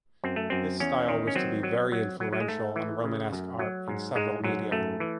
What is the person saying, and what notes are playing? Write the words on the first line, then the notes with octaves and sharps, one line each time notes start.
This style was to be very influential on Romanesque art in several media.
F#2 C4
A3
F#2 C4
E2 C#4
D#3
C#4
F#3 C4
F#3
F#3
F#3
F#3
G#3
G#2 A3
E3
C#3
F#2
F#3
G#2
G#2 G#3
G#2 F#3
F#2 A3
E3